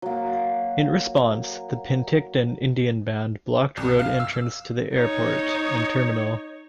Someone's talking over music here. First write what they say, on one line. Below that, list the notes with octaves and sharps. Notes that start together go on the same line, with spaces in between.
In response, the Penticton Indian Band blocked road entrance to the airport, and terminal.
F#3 A#3
C2
F5
E6
D#4 C#5